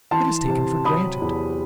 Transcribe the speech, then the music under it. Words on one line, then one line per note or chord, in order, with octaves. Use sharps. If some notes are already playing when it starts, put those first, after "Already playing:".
It is taken for granted.
E3 A5 C6
C3
F#3 B5 D#6
E2